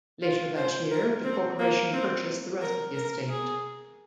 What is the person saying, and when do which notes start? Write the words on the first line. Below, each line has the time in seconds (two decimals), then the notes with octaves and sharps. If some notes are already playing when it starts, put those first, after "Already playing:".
Later that year, the corporation purchased the rest of the estate.
0.22 F4
0.56 C5
0.91 A#4
1.24 C4
1.59 A#3
1.93 C4
2.61 A#4
2.95 A#4
3.29 G#4